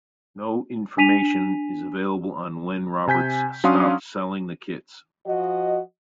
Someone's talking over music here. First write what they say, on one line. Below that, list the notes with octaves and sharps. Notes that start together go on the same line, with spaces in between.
No information is available on when Roberts stopped selling the kits.
D4 G#5 B6 D#7 F7
C3 G#5 G6 B6
F#3 C#4 D4 F5 C6 D#6
F3 F#4 D#5